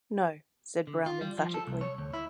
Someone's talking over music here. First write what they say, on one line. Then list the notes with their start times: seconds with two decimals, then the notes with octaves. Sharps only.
"No," said Brown emphatically.
0.87 D3
1.06 F4
1.21 G3
1.38 F3
1.54 A4
1.67 C2
1.81 C#5
1.98 D2
2.14 E4